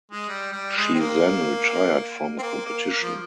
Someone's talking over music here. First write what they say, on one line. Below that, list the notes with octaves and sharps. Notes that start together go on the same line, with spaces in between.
She then retired from competition.
G#3
G3
G3
G#3
C4
A#3
C4
A#3
A#3
A#3
F3